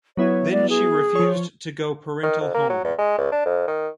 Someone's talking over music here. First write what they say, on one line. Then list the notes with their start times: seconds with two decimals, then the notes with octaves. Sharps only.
Then she refused to go parental home.
0.17 F#3 B3 E4 C#5
0.52 D5
0.70 G#4
1.15 F3 C#5
2.23 D#3
2.41 F2
2.54 A#3
2.70 F#3
2.84 E2
2.98 G#3
3.18 C#2
3.32 D4
3.46 F2
3.68 D#3